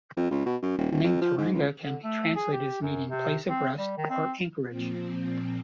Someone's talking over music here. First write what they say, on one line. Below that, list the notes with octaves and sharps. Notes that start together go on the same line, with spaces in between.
The name Tauranga can be translated as meaning 'place of rest' or 'anchorage'.
F2
C#2
B2
F#2
D#1
D#1
F2
F3
G#2
C#2
D3
A3
G#4
G4
F#2
C3
C4
G3
D#3
C4
A#2 F3 C4